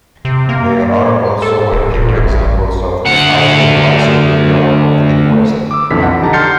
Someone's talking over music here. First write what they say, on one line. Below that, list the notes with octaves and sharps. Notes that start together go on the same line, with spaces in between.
There are also a few examples of the title Vice-Admiral of the West.
C3
A#3
A4
D1
D1
A1
D2 F#5
D6 E6
B1 F2 D3 E3 B6
F#5
D3 D#4 G4 A5 A#5
C6 F6 G6 A6 C7 C#7